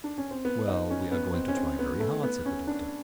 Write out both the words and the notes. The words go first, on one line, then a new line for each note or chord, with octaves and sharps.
"Well, we are going to try very hard," said the Doctor.
D4
C#4
C4
B3
D#4
C#4
B3
C4
C#4
C4
B3
A3
B3
C#4
D4